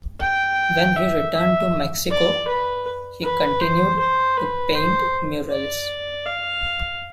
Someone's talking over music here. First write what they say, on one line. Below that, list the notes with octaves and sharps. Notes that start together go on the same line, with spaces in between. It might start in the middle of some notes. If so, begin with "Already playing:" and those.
When he returned to Mexico, he continued to paint murals.
G5
E5
E5
D5
B4
B4
C5
C5
B4
C5
D5
F5